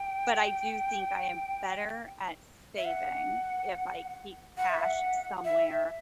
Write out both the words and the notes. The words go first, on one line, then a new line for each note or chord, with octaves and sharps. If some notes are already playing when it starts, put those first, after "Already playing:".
but I do think I am better at saving if I keep cash somewhere
Already playing: G5
E5
F#5
F#5
E5
F#5
E5